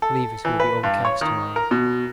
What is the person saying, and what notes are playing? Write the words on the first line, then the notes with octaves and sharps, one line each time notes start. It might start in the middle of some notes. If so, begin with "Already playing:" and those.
I believe it will be overcast to-morrow.
A4
E3
B4
G2
C#5
D#3
A#4
B2